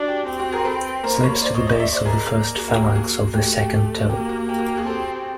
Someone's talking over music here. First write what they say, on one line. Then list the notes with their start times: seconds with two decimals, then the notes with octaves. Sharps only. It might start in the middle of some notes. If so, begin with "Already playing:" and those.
Slips to the base of the first phalanx of the second toe.
Already playing: D4 F#4
0.08 G4
0.27 C4 G4
0.39 F#4
0.52 G#4 A#4
0.65 A4 B4
1.03 A#3 A#4 C5
1.23 B4 C#5
1.41 A#3 C5 D5
1.55 C#5 D#5
1.67 C#5 D#5
1.80 D5 E5
1.93 C5 D5
2.05 G#4 A#4
2.18 A#3
2.56 F#4 G#4
2.69 G4
2.82 G4
2.95 F#4 G#4
3.34 A3 G4
3.47 F#4
3.59 G4
3.72 G4
3.99 F#4
4.09 A#3 G4
4.29 F#4
4.48 A#3 G4
4.59 F#4
4.68 G4
4.77 F#4 G#4
4.86 C4 G4 A4